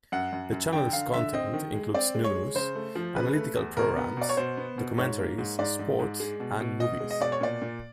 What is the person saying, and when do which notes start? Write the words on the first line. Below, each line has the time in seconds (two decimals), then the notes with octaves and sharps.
The channel's content includes news, analytical programs, documentaries, sport and movies.
0.12 F#2 F#5
0.33 F#2
0.52 F#2
0.73 D3 G5
0.93 D3 F5
1.13 D3 E5
1.33 C4 D#5
1.54 D#3
1.74 G#3
1.94 C4 D5
2.15 G#3
2.24 C#5
2.35 G#3
2.55 C#3 C5
2.75 A3
2.95 F3
3.15 C#3 B4
3.36 A3
3.56 E2
3.77 B2 A#4
3.97 B3
4.17 B2 D5
4.29 C#5
4.37 B2 C5
4.57 B3
4.78 B2
4.98 G#2 C#5
5.18 A#3
5.38 G#2
5.59 G#2 D5
5.79 G#2
5.99 G#2
6.20 G#3
6.40 B2
6.60 B2
6.80 B2 D#5
7.00 G#3
7.11 D#5
7.20 B2 D5
7.32 C#5
7.41 A#2 D5
7.62 A#2